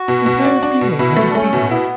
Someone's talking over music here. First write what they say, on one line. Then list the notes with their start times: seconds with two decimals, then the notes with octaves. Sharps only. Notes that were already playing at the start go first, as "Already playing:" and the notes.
The entire freeway has a speed limit.
Already playing: F#4
0.08 B2
0.26 B2
0.45 D4
0.63 D4
0.81 B2
0.99 B2 E4
1.17 A3
1.30 D4
1.35 A3 C#4
1.53 B2
1.71 B3 E4